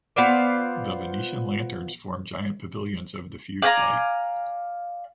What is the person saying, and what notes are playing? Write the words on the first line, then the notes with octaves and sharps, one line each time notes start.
The Venetian lanterns formed giant pavilions of diffused light.
B3 F4 C5 D5
D5 F5 G#5 A#5